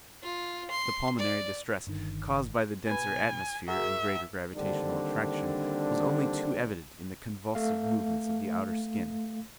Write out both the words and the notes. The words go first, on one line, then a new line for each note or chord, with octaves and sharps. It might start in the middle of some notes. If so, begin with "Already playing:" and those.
The pulmonary distress caused by the denser atmosphere and greater gravitational attraction was only too evident in the convulsive movements of the outer skin.
F4
C6
D5
G1 D3 D#3
B2 B4 G#5
F#4 G#4 A#4 E5
D3 D#3 G3 A#3 C4 D4
A3 F5